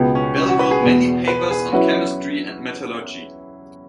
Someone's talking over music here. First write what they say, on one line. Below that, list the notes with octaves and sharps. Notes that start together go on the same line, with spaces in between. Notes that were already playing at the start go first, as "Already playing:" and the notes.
Bell wrote many papers on chemistry and metallurgy.
Already playing: C#2 B2 B3
C#4
C#4
F#4
B4
G#4
E2 B2 B3
B4
G#4
F#3 C#4 E4 F#4 B4